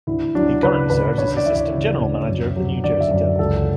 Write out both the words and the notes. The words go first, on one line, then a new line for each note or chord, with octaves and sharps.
He currently serves as assistant general manager of the New Jersey Devils.
D2 E4
F#3 D4
C#3 B4
D2 B4
D2 C#5
D5
E3 E5
D5
C#3
D2
F#2
F#3
D3 D5
E5
F#2 D5
C#2 A4